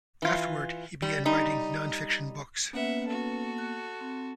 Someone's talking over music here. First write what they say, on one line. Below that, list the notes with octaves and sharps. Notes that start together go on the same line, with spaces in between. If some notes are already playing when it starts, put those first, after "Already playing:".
Afterward, he began writing non-fiction books.
E3 F4
G3
G3 D#4
A#3 B3 C#4 B4 E5 F#5
F#4 A4
F#6
C4